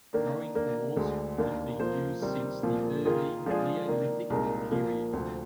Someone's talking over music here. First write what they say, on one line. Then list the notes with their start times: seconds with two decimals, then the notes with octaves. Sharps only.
Rowing oars have been used since the early Neolithic period.
0.13 D#3 A#3 D4
0.55 D#3 A#3 D4
0.96 D2 D3 G#3
1.38 D#2 D#3 A#3 D4
1.80 F3 A#3 F4 C5
2.21 C3 D#3 G3 C4
2.63 C2 A#2 F3 A#3
3.05 D#3 A#3 F4 G#4
3.46 F3 G#3 D4 F4 G#4
3.88 D#3 A#3 D4
4.30 C2 A#2 G#3 D#4 A#4
4.71 A#2 F3 A#3
5.13 D2 C3 F3 C4